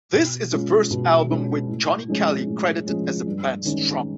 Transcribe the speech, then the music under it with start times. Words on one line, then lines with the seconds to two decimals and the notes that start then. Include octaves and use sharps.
This is the first album with Johnny Kelly credited as the band's drummer.
0.13 B2
0.51 G#3 C#4 F4
0.91 B2
1.30 G#3 C#4 F4
1.69 A2
2.08 F3 G#3 C#4
2.48 A2
2.87 F3 G#3 C#4
3.26 G2
3.65 D#3 G#3 C#4